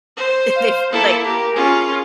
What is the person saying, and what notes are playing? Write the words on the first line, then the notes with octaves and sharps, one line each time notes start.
they've, like,
C5
F5
A#3 E4 A4
G4 A#4
C#4 F4 G#4